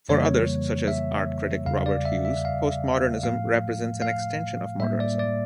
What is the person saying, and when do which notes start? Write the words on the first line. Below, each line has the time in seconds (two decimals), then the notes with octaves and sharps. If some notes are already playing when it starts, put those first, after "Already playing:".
For others, such as art critic Robert Hughes, postmodernism represents an extension of modernism.
0.09 F2 C#3 E3 G3 A#3 C#5
0.88 E5
1.66 E2 C#3 G3 F5
1.86 D5
2.05 E5
2.25 E5
2.45 F5
3.23 A2 F3 A3 F5
4.02 F5
4.80 A2 G3 A#3 E5
5.00 D5
5.19 D5